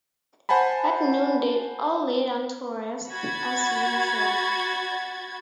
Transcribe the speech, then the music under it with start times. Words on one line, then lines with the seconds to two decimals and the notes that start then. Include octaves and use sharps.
At noon they all lay down to rest as usual.
0.49 C5 F#5 G#5 A5 B5
3.09 F#4 B5 G#6 A6